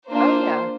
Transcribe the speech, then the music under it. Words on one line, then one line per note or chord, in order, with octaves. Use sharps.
Oh, yeah,
A#3 D4 F4 C5